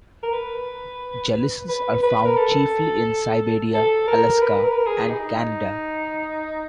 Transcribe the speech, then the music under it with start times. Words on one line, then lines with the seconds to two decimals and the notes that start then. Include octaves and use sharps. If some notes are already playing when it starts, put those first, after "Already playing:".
Gelisols are found chiefly in Siberia, Alaska and Canada.
0.23 A#4
0.33 B4
1.69 B4
2.03 B4
2.26 A#4
2.37 A4
3.74 A4
4.08 A#4
4.42 B4
4.65 A#4
4.72 B4
4.78 A#4
4.87 G#4
5.10 D#4